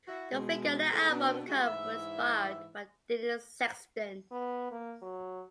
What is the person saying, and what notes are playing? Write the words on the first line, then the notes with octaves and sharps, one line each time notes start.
The figure on the album cover was inspired by Denise Sexton.
E4 F#4
B2 G#3
D3 G#3 A3 C4 E4 A4
B2 B3 D4
G3 G#3 E4 F#4
G#2 E3 E4 E5
B3
A#3
F#3